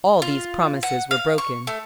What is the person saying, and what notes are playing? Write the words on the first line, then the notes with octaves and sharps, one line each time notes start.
All these promises were broken.
F4
F#5
F5
C#6
A3